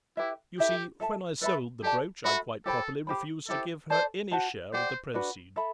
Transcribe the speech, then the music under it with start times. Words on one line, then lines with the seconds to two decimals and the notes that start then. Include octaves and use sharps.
You see, when I sold the brooch I quite properly refused to give her any share of the proceeds.
0.17 E4 G4 B4 E5
0.59 E4 G4 A4 E5
1.00 A4 E5 A5
1.42 A4 B4 E5 B5
1.83 G4 A4 D5 A5
2.24 F#4 A4 E5 B5
2.66 G4 A4 C5 G5 B5
3.07 G4 C5 G5 B5
3.49 E4 G4 A4 C5
3.90 A4 C5 D5 A5
4.32 F#4 C5 F#5 A5
4.73 G4 C5 D5 F#5
5.14 D4 F#4 B4
5.56 A4 E5 B5